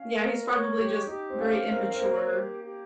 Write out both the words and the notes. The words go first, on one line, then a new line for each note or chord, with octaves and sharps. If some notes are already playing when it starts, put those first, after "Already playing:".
Yeah. He's probably just very immature.
Already playing: C#4 F5
A#4
C#5
G4
D#4 G4
C4
C#4 F5
C4 A#4
C4
A#3 C5
G4
G4